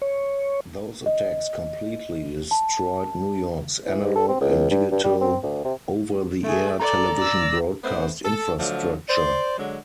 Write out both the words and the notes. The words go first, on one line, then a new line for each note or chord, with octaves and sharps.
Those attacks completely destroyed New York's analog and digital over-the-air television broadcast infrastructure.
C#5
D#5
A5
E3
G#2
A4
C4
C#2
G2
G2
G3
C4
D2
C3
A3 G#4
A4 D5 A#5
D5 E6
A3 B3 C4 C5
A4
D3 F3 F#3 A3
C5 D5
D3 F#3 G#3